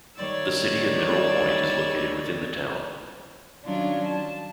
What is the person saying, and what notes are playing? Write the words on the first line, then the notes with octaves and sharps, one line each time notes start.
The City of Mineral Point is located within the town.
D#3 G3 A#3 C#5 D5 E6
D#3 F#3 C#4 D4 F4
A5